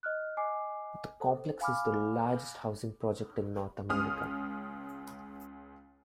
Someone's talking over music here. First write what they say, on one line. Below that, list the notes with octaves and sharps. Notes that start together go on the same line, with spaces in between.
The complex is the largest housing project in North America.
D#5 F6 F#6
D#5 G#5 D6 C7
A4 C5
F5 G#5 B5 D6 F6
C#2 D#6 F6